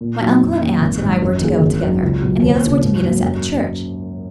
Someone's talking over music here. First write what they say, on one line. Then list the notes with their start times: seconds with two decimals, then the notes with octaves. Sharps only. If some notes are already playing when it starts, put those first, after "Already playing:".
My uncle and aunt and I were to go together; and the others were to meet us at the church.
0.01 A#2
0.21 F#3 A#3 D#4 F#4
0.41 F2
0.61 D#3 A#3 C#4
0.81 G#1
1.01 G#2 D#3
1.22 F#2
1.41 D#3 A#3 F4 G#4
1.61 G#1
1.82 F#2 D#3 F#3
2.01 C#2
2.21 B2 F#3
2.42 D#2
2.62 C#3 F3
2.83 G#2
3.02 F#3 A#3
3.22 F#2